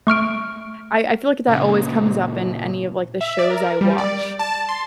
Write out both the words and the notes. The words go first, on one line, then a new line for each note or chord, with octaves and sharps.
I I feel like that always comes up in any of, like, the shows I watch.
A3 C#6 F6 D7
A#2 C#3
E5
D5
A#4
G3
D5
A5
C6